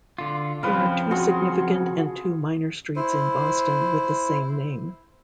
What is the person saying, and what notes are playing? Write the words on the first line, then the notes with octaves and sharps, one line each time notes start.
There are two significant and two minor streets in Boston with the same name.
D3 F4
C#3 F3 C4 B4 F5
F#4 G#4 C6
E4 C5